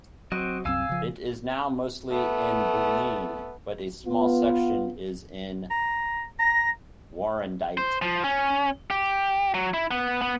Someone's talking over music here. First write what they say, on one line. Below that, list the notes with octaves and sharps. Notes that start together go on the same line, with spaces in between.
It is now mostly in Bulleen, but a small section is in Warrandyte.
F#3 C4 F#4 D#5
C2 F#2 C4 F5 G#5 E6
C#3 F3
A3 B3
B3 F4
A#5
A#5 A#6
C5
F3
C#4
G4
F#3
E4
B3
B3